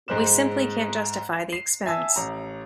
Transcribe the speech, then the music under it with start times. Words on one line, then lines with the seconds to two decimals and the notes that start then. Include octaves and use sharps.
We simply can't justify the expense.
0.08 G#2 G#3 C5 F#6 E7
1.53 C7
1.86 E5 G#5 A5 E6
2.16 A1 A#5